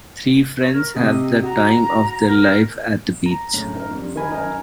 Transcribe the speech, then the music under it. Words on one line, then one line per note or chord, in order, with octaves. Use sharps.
Three friends have the time of their life at the beach.
C#5
A#4
C3 G4 D#5
F#4 A#5
A#4
A#5
F#2 A2 C#3
D#4 A#4
F2 G3
D#3 A#4 G#5 B5
F#2 D#4 A#4 G#5